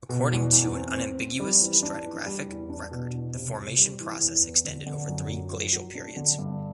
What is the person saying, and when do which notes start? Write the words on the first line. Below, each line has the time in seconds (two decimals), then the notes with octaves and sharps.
According to an unambiguous stratigraphic record the formation process extended over three glacial periods.
0.09 B2
0.32 E2
0.53 E2
0.75 C4
0.96 C4
1.19 C4
1.40 G3
1.62 E3
1.83 D4
2.05 E3
2.26 G3
2.48 E2
2.70 D4
2.91 B2
3.13 E2
3.34 C3
3.57 C3
3.78 G3
4.00 E3
4.21 E2
4.43 B3
4.65 D3
4.86 D3
5.08 F#2
5.29 F#3
5.52 F#3
5.73 F#3
5.95 D4
6.17 D3
6.38 G2